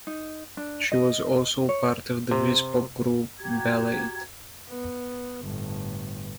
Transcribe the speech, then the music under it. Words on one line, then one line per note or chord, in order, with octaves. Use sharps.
She was also part of the vispop group Ballade!.
D#4
D4
D#5
C#5
C3
F#4 G4 A#5 G#6
B3
G1 A2